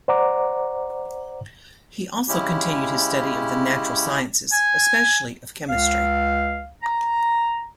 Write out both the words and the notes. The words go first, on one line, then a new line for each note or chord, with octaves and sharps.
He also continued his study of the natural sciences, especially of chemistry.
C5 D5 F#5 A#5 D6
C#3 G#3 C#4 E4 G4
G#5
C#2 F5
A#5